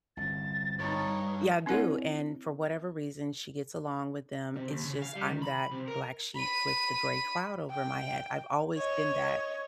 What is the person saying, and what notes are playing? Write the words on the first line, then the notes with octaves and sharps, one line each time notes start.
yeah, I do, and for whatever reason, she gets along with them. It's just I'm that black sheep with the gray cloud over my head. I've always been that,
G1 C2 A6
G2 D#4 C#5
C4 D4 E4 A#4 C#5 F#5
C3
D#2
C#3
F5
G3
D#3
B5
C3
A#4
B5 D#7
G5
C#5 D#5